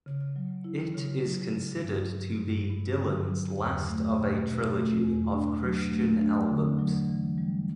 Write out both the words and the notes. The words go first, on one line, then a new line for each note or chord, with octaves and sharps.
It is considered to be Dylan's last of a trilogy of Christian albums.
C#3
F#3
E4
C#3
F#3
C#3
G2
F#3
G2
G2
D3
F#3
E2
A3
B2
B2
A3
E2
D4
F#3
A3
D4
D3
F#3
E3
G3